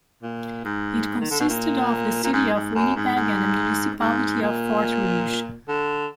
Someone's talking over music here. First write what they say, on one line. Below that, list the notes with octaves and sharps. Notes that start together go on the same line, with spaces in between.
It consisted of the city of Winnipeg and the municipality of Fort Rouge.
A#2
G#2
D#3
D3
B2
A#2
A#2
G#2
G#2
F#2
G#2
G#2
G#2
A#2
D3